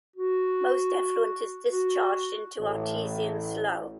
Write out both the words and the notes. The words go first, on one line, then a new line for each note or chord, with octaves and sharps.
Most effluent is discharged into Artesian Slough.
F#4
F#4
A1